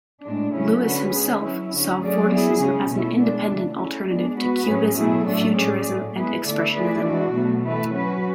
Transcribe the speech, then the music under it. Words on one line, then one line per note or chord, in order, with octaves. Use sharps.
Lewis himself saw Vorticism as an independent alternative to Cubism, Futurism and Expressionism.
A2 G#3 D4
C#3 F#3 A3 C#4 E4
D3 A3 C#4 F#4 B4
G#3 C#4 G#4
F#3 C#4 E4
D3 F#3 C#4
F#3 A3 C#4 G#4 D5
B3 E4 G#4
C#3 G#3 C#4
B2 A3 C#4 E4
G#3 B3 D4
C#3 E3 A3
A3 C#4 E4
G#3 B3 D4
B3 F#4 B4
A2 F#3 C#4 G#4
B2 F#3 A3 E4 G#4
A2 F#3 A3 D4 A4
A2 G#3 C#4 G#4 D5
A2 F#3 A3
G#3 B3 E4 G#4 B4
D3 A3 E4 A4 D5
A3 E4 G#4 B4 D5
E3 G#3 D4 F#4
B2 F#3 A3
E3 A3 E4 B4
F#3 C#4 F#4 B4